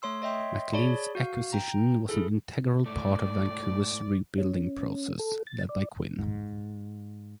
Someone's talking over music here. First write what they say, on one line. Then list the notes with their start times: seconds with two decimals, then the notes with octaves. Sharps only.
McLean's acquisition was an integral part of Vancouver's rebuilding process, led by Quinn.
0.02 A3 C#5 C6 E6
0.22 C#5 D#5 E5 G5 C6
0.73 G#4 C#5 D5 A5 B5
1.15 F#4 F5
1.53 G5 A#5
2.09 E4 G#4 A4
2.86 G#2 A3 D5
4.38 C#4
5.19 A4
5.47 A6
5.69 D5
6.19 G#2